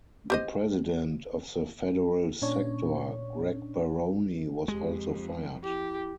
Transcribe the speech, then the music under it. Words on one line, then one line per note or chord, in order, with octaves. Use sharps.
The president of the federal sector, Greg Baroni, was also fired.
G4 C5 D#5
A#2 C#4 D4 C#5
F2 G#3 G4
E4 G4